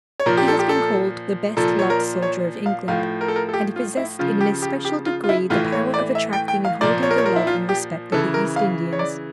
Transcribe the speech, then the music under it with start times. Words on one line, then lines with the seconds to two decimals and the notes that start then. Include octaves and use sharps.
He has been called the "best-loved soldier of England." And he possessed in an especial degree the power of attracting and holding the love and respect of the East Indians.
0.20 C#5
0.26 A#2 F3 A#4
0.37 G4
0.48 A4
0.59 G4
0.69 A4
1.57 A#2 F3 A4
1.79 C#5
1.90 A#4
2.23 C#5
2.66 F5
2.88 A2 F3 F5
3.21 A#4
3.28 A4
3.36 A#4
3.49 A4
3.54 G4
3.76 F4
3.97 E4
4.19 C#3 F3 F4
4.41 G4
4.62 G4
4.85 G4
5.06 F4
5.24 F4
5.29 E4
5.50 A2 E3 F4
5.72 C#5
5.94 D5
6.15 E5
6.33 G5
6.48 G5
6.65 F5
6.81 A#2 F3 D5
7.03 C#5
7.11 A#4
7.18 C#5
7.26 A#4
7.36 E4
7.47 F4
7.69 G4
8.12 C#3 E3 A4
8.34 A#4
8.56 F5
8.93 C#5
8.99 D5